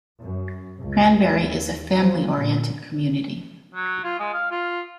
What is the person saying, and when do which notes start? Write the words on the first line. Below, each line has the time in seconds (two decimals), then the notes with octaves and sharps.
Cranberry is a family-oriented community.
0.22 F#2
0.78 C#2
1.25 D#2
1.97 F3
2.38 A#2
3.75 F#3
4.04 F4
4.19 G#3
4.34 F5
4.51 F4